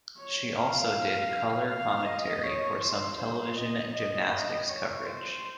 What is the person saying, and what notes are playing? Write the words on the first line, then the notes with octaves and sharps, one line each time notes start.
She also did color commentary for some television gymnastics coverage.
C#5
F5
F5
D#5
C#5
C5
C5
D#5
D#5
D#5
C#5
C5